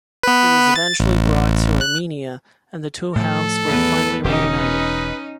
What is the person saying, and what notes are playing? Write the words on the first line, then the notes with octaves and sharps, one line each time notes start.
It was eventually brought to Armenia and the two halves were finally reunited.
B3 B4
A6
A1
F#6
A2 F3 A4
E2 B4
E1 C#4 D#4 G4
B4